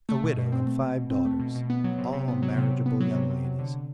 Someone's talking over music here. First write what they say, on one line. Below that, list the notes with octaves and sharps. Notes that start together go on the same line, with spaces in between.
A widow and five daughters, all marriageable young ladies.
A3
B2
B2
C4
A3
B2
B2
C4
A3
B2
B2
B3
F#3
C3
C3
B3
F#3
C3
C3
B3
F#3
C3
C3
F#3
D3